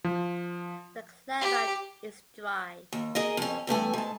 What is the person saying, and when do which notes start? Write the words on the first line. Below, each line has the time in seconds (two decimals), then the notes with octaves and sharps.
The climate is dry.
0.04 F3
1.41 G4
2.93 D#2
3.15 G#4 A#4 D#5
3.37 F2 C#4
3.67 E2 G2 A3 G#5
3.93 G#2 A5